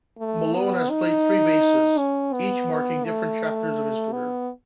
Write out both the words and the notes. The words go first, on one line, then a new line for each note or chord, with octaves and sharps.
Malone has played three basses, each marking different chapters of his career.
A3
B3
D#4
C#4
B3
A3
B3